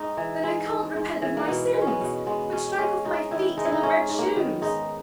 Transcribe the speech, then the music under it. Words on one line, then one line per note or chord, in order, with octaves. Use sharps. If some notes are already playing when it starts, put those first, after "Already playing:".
"Then I can't repent of my sins! But strike off my feet in the red shoes!"
Already playing: G#2 D#4
E3
G#3
G#2
G#2
E3
A#3
B2 B3
G#3
C#4
B3
B2
G#3 B3
B2 C#4
G#3 C#4
G#2 D#4
D#3 E4
G#3 D#4
E4
D#4
G#2 C#4
G#2
A#3 B3
D#3
G#2 D#4